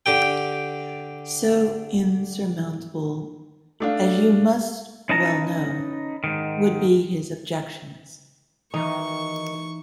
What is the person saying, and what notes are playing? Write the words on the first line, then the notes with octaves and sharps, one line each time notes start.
So insurmountable, as you must well know, would be his objections.
D3 G4 G5
A3 D4 F5
C#4 D#4 B4 A5 A#5
G#2 D#3
D#3 E3 D#4 C#6